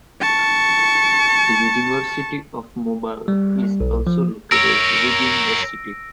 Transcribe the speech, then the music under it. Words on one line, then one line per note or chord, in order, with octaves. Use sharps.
The University of Mobile is also located within the city.
A5 C#6
G3
B1
F3
A#4 C#5 E6 A#6 D7